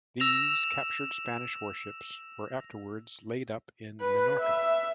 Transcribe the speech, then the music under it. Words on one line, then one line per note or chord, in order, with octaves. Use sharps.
These captured Spanish warships were afterwards laid up in Minorca.
E6 A#6 E7 F7
B4
E5